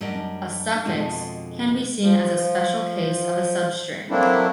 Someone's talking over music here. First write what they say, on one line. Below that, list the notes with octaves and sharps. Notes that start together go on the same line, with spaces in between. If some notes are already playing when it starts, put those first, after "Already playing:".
A suffix can be seen as a special case of a substring.
F#2 G3 D4 D#5
F2 B2 D3 G#3 F4 A5
F3
F#3 A3 A#3 C4 D4 E4